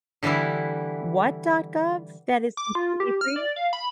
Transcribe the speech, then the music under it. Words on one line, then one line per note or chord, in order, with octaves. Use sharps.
what dot gov that is completely free?
D3 E3 G3 B3 E4
D6
F4
G4
F6
D5
F5
B5